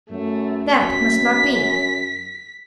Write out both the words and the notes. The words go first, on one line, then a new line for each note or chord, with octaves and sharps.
That must not be.
F#2 A3
F#2 B6